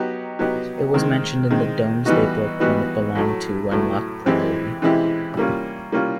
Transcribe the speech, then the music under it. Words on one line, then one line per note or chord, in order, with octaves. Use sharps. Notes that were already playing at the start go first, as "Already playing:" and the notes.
It was mentioned in the Domesday Book, when it belonged to Wenlock Priory.
Already playing: F#3 B3 D#4 G4
F#3 B3 D#4 G4
D#3 G#3 C4
D#3 G#3 C4
E3 G3 B3 D#4 F#4
E3 G3 B3 D#4 F#4
A2 F#3 A3
A2 F#3 A3
E3 G#3 C4 E4 G4
E3 G#3 C4 E4 G4
G3 A#3 C#4 F4
G3 A#3 C#4 F4